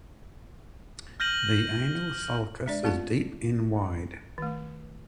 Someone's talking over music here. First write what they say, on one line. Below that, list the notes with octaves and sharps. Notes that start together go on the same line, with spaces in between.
The anal sulcus is deep and wide.
F6 G6 A#6 D#7 F#7
G#3 D4 D5
A3 C4 F4 A5
D#3 A3